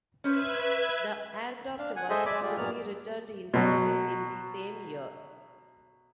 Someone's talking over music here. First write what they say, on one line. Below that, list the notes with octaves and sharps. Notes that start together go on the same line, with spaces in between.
The aircraft was probably returned in service in the same year.
C#4 B4 C5 E5 G#6
D4 F5
F#5 G#5
G#3 G#4 A4 C5 D#5 E5
D5 E5 G#5 B5 D6
G3 A3 F4 G#4 D5
G2 A#2 F#3 B3 D5 F6
B2 F#3